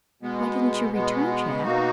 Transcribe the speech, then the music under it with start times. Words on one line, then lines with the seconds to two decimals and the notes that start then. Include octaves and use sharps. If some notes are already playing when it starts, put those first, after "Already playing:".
Why didn't you return, Jack?
0.22 B2 G#3 B3
0.93 B2 G#3 B3
1.63 B2 A#3 D#4 F#4